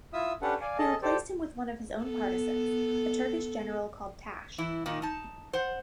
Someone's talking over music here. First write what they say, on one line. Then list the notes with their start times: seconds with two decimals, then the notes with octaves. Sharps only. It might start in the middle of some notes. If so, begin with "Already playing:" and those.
He replaced him with one of his own partisans, a Turkish general called Tash.
0.13 E4 F4 E5 D#6 E6
0.42 C#4 D4 G4 A4 B4 F#5
0.61 D5 F5 G#5
0.78 G#4 A4 D#5 A5
1.02 G4 A4 C5 D5
2.02 B3 A4
4.58 E3 E4
4.86 A#2 D#3 D#4
5.02 D#4 A5
5.53 C5 F#5